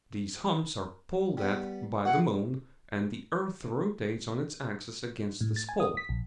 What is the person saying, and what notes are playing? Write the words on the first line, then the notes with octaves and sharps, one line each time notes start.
These humps are pulled at by the moon, and the earth rotates on its axis against this pull.
G3 B3
E4 F#4 F#5
A2
A6
G#5
D#6
B6
A#1